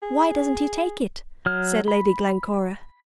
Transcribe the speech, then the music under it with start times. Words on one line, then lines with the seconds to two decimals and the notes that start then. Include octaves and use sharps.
"Why doesn't he take it?" said Lady Glencora.
0.02 G#4
1.46 F#3 F6
1.88 B5